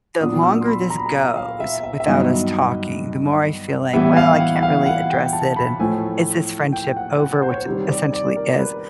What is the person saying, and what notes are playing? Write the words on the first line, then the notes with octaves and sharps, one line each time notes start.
the longer this goes without us talking, the more I feel like, "Well, I can't really address it," and, "is this friendship over," which it essentially is,
A#2 F#3 B3 D4 D#6
E6
C6
B5
A#5
B5
A#5
F5
E5
E5
E5
G2 D#3 F#3 B3 D#5
A2 E3 G3 B3 E5
F5
F#5
E5
F5
F#5
G5
A5
B5
A2 F3 A3 G#5
G5
F#5
F#5
C5
C#5
C5
C3 D#3 G3 C#5
D5
D5
A#4
B4